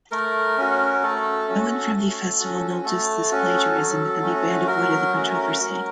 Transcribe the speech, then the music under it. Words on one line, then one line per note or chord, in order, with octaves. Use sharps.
No one from the festival noticed this plagiarism and the band avoided the controversy.
A3 A#4
C#4 F#4
A3 A4
C#4 F#4
A3
C#4 F#4
A3 A4
C#4 F#4
F#3
A3 C#4 F#4
F#3 A#4
A3 C#4 F#4
F#3